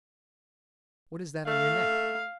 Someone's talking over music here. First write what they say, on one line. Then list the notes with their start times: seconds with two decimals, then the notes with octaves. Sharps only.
"What is that on your neck?"
1.48 A3 F5